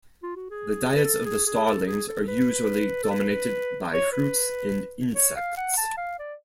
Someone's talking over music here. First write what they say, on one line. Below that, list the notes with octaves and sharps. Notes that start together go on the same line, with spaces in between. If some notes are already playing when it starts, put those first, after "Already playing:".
The diets of the starlings are usually dominated by fruits and insects.
F4
F#4
G#4
B4
A4
G#4
G#4
A4
G#4
A4
B4
A4
B4
C#5
B4
C#5
F5
F#5
A5
F5
D5